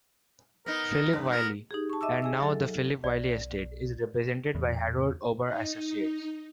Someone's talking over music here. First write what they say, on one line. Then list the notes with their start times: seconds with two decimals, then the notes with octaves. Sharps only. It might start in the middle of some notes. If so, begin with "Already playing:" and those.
Philip Wylie, and now the Philip Wylie estate, is represented by Harold Ober Associates.
0.66 B3 D#4 A#4
1.13 G2
1.31 B3 A#4
1.71 D#4 G4 G#4
1.90 A5 C#6
2.01 D#5 E5 A5 D6 E6
2.22 G#4 G#5 E6
2.40 F#3 A4
3.04 B1 D5
4.55 E2 A2
5.46 D#4